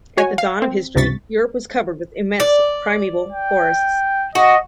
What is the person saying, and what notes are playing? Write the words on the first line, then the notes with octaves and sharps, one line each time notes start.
At the dawn of history, Europe was covered with immense primeval forests.
F#4 C#5 G#5
F5
C4
C#2 G2 C3 C#6 A6 B6
D5
G5
F#4 D#5